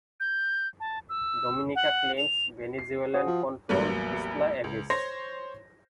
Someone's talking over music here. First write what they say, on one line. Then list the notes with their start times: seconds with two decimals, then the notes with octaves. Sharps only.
Dominica claims Venezuelan controlled Isla Aves.
0.20 G6
0.80 A5
1.09 E6
1.76 F#5
2.18 F7
2.79 C7
3.14 F#4 C5 D#6
3.27 F3
3.69 A1 E2 F#3 G3 A#3 B4
4.64 C#2
4.90 C5 C#5 C6 A#6